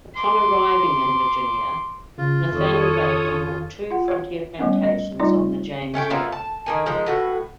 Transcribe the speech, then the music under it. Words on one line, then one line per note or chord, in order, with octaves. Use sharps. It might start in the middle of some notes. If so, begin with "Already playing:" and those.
Upon arriving in Virginia, Nathaniel Bacon bought two frontier plantations on the James River.
C6 D6
C#3 F4
F2 D#3 A4 C#5 D#6
F4 F#5
C#5
G3 A3 B3 C#4
D#5
G3 A3 D#4 F4 D5
A3 C#4 F#5 G5
A#3 B3 E4 F4
A5
D#3 A#3 G#5
D#3 F3 G#3 D#4
A2 F#4 B4